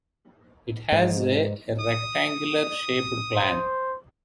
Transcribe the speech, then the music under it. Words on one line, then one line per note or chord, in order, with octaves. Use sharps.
It has a rectangular shaped plan.
G#2
D#6
C5